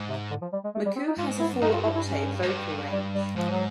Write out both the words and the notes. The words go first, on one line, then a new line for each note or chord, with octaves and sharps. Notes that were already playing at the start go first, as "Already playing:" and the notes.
McCoo has a four-octave vocal range.
Already playing: G#2
C3
D3
F3
G3
G#3
A3
G3
C4
D#4
G#2 F4
E4
F#2
G2 D#4
F4
E4
E4
C#4
G#2
G2
G3
G3
G#2 F3
F#3